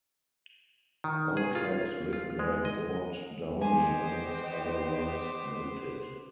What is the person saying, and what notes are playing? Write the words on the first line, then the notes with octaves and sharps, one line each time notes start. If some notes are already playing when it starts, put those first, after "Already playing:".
All tracks written by Gord Downie unless otherwise noted.
D#3
G#4
F4
F4
G#3
D#5
B3 C5 D#5 G5 G#5 D6